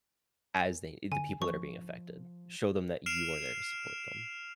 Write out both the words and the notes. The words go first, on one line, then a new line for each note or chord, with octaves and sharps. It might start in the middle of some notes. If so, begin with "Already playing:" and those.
as they i the people that are being affected. Show them that you are there to support them.
D3 G#5
F3 C#6
F6 C7 D7 E7 F7